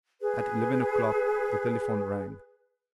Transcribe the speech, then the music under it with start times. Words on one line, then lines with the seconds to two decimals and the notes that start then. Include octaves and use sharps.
At eleven o'clock the telephone rang.
0.20 G#4 B4